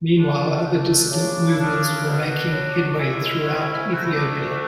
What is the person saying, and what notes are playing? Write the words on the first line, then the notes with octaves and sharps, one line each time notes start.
Meanwhile, other dissident movements were making headway throughout Ethiopia.
E2 D4
A3
C#3 D4
E4
C#3 D4
B2 D4 F#4
F#3
G#3 C#4 E4
G#2
A3 F#4
E4
D4 F#4
D2